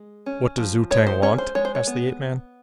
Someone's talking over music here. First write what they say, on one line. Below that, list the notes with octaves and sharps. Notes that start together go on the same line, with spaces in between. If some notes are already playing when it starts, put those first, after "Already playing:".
"What does Zu-tag want?" asked the ape-man.
Already playing: G#3
C#4
F3
G#3 C#5
C5
C#4 C#5
C5
G#3 C#5
C5
C#5
B3